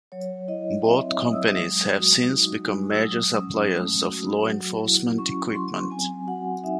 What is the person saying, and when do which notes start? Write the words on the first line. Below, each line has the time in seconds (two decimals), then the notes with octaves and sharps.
Both companies have since become major suppliers of law enforcement equipment.
0.12 F#3 C#5
0.48 E4 D#5
0.84 C4 E5
1.20 F#3 D#6
1.33 E6
1.44 D#6
1.57 G#3
1.93 F#4
2.30 D#4
2.66 G#3
2.90 E6
3.01 F#3 D#6
3.38 C#4
3.74 A3
4.10 F#4
4.46 F#3
4.82 E4
5.18 C#4 C#6
5.55 F#3 C6
5.91 C4 G#5
6.27 F#4 F#5
6.64 D#4 E5